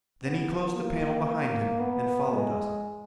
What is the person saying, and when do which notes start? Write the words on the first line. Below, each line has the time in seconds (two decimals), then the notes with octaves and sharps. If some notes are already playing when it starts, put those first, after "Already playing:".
Then he closed the panel behind him and followed us.
0.23 B3
0.75 A#3
1.79 B3
2.33 G#3